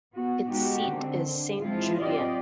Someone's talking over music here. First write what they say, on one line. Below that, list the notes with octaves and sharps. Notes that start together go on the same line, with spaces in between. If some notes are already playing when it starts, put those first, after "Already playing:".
Its seat is Sainte-Julienne.
B3 F#4
G#3 B3 D#4 F#4 G4
D3 D#3 C4
D3
F3 G#3 C4 E4 F4
F#3 C4 F4 G4 D5 D#5